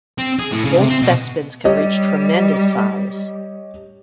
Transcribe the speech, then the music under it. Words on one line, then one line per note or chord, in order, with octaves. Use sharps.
Old specimens can reach tremendous size.
C4
G#4
A2
C#3
C3
C4
B2
G3 G4 C#5 D#5